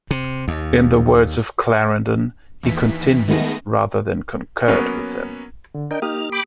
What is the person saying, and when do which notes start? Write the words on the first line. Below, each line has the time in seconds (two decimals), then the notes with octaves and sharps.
In the words of Clarendon, he continued rather than concurred with them.
0.11 C3
0.48 D#2
2.63 D#2 E3 B6
3.28 D#3 G#3 A3 B3 A#6 D#7
4.68 F#3 A#3 B3 C#4
5.75 D3
5.91 D4 A#4 D#5 G5
6.02 A#3 D#4 G4 D#6 F6
6.32 G5 B5 D6